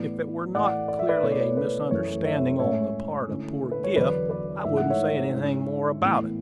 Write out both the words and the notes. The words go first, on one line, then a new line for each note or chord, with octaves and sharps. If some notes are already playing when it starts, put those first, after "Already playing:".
"If it were not clearly a misunderstanding on the part of poor Griff, I wouldn't say anything more about it."
Already playing: A2 E3 B3 B4 D5
A2 E3 A3 D5 F#5
D5
E5
B4 D5
B2 A3 E4 C#5
D5
C#5
B4
F#2 E3 A3 C#5
C#5 E5
A2 G#3 C#4 E4 C#5 E5
D3 A3 C#4 E4
B4
C#5
E2 D3 F#3 B4 D5
B4 D5
G#2 E3 A3 E5
F#5
C#5 E5
G#2 G#3 C#4 E4
A2 E3 B3